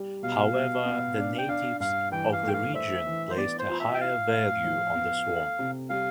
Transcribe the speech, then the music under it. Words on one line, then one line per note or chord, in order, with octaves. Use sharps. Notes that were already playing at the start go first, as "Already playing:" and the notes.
However, the natives of the region placed a higher value on the swamp.
Already playing: G3
B2 F5
B2
B3
D4
G5
D4 F5
G2 F5
E3 G5
F5
A3
G5
F5
C5 E5
E3
C5
B3 D5
C5
F4
E5
G5
E4 F5
A2
F3
B3
A4
C3
G3 F5